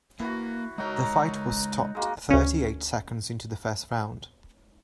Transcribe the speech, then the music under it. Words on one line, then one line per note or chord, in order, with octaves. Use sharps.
The fight was stopped thirty eight seconds into the first round.
E3 A#3 F#4
G#3 D#4 F#4 A#4 C#5
G#3 A#3 F#4
D2 C#4